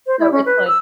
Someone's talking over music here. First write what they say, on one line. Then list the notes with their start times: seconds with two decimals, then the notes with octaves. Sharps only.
So, it's like
0.07 C5
0.20 E4
0.32 C#4
0.46 B4
0.67 E6